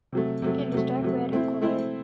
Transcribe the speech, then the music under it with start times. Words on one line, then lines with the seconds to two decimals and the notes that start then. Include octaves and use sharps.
It is dark red in colour.
0.12 C3 F#3 A3
0.42 C3 F#3 A3
0.72 C3 F#3 A3
1.02 C3 F#3 A3
1.32 A3 C4 E4 C5
1.61 A3 C4 E4 C5